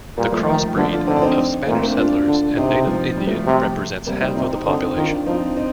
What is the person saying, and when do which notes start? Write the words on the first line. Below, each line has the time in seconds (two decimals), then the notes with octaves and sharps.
The cross-breed of Spanish settlers and native Indian represents half of the population.
0.17 A#2 G3 A#3
0.32 F3 A3
0.47 D#3
0.77 D3 F3 A3
0.92 D4 F4
1.07 D3 C4 D#4
1.16 D4
1.22 C4 D#4
1.67 A#2 A3 C4
1.82 A#3 D4
1.97 A#2 D4 F4
2.26 D3
2.57 C3 C4 D#4
2.87 F3
3.17 G3
3.27 F3 A3
3.37 F3
3.46 C3
4.06 C3 G3 A#3
4.21 C4 D#4
4.36 C3 C4 D#4
4.52 C4 D#4
4.66 D3 C4 D#4
4.96 D#3 D4 F4
5.26 F3 C4 D#4
5.56 C4 D#4